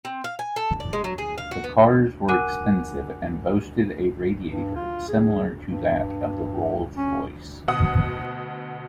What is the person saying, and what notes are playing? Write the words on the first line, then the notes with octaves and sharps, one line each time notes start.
The cars were expensive and boasted a radiator similar to that of the Rolls-Royce.
C4
F5
G#5
A4
D5
G#3
F#3
G#4
F5
F#4
B3
A#4 F#5 G#5 D6 F#6 D#7
G2
F4
G#4
G2
C#4
D2 B2 F#5 D#6